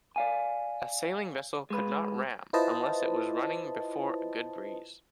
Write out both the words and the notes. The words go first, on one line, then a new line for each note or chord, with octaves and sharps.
A sailing vessel could not ram unless it was running before a good breeze.
D5 F5 G#5
G#3 B4
E4 F4 B4 C5 D#5 A5